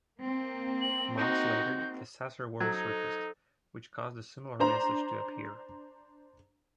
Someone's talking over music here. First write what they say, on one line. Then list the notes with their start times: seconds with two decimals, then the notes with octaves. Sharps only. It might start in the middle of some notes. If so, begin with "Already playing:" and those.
Months later, the Sasser worm surfaced, which caused a similar message to appear.
0.20 A#3 C4
0.81 F#7
1.17 D#4 F#4 G6
2.60 F#3 D#4 A4 C5 G#6
4.60 D4 C5 A#5